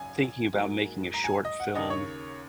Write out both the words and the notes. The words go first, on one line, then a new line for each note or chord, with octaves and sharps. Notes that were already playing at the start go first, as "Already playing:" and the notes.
thinking about making a short film
Already playing: G#1 F#2 C#3 G#5
G#2 F#3 A#3
A#5
G#5
D#5
F#5
D#2 C#3 A#3 D#5
C#5